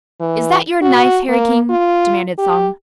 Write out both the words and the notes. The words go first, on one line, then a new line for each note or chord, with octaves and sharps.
"Is that your knife, Harry King?" demanded Thong.
E3
F#4
A#3
F4
G4